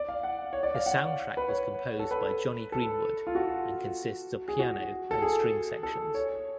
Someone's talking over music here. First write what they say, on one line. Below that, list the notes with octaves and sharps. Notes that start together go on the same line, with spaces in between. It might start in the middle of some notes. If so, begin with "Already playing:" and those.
The soundtrack was composed by Jonny Greenwood and consists of piano and string sections.
Already playing: D5
F5
F#5
C#5
D5
F5
F#5
B4
C#5
A4
B4
A4
F4
F#4
G#4
F#4
A4
G#4
A4
C#5